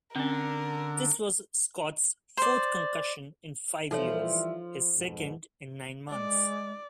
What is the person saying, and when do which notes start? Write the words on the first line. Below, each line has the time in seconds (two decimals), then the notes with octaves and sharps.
This was Scott's fourth concussion in five years, his second in nine months.
0.16 D3 C4 C#4 A#4
2.37 C5 D5
3.91 E3 F3 G3 D#4 A4 C#5 E5
4.96 F2 G#2 B2
6.10 G#3 D5